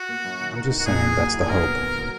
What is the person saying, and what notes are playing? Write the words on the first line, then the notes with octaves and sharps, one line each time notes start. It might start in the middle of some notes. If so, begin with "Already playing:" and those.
I'm just saying that's the hope.
Already playing: F#4
A#3
F#2
D#3
A#4
D#4
F#4
A#2 G#4
A#3
F#3
E4
G#4
F#3 A#4
B3
D#2
F#3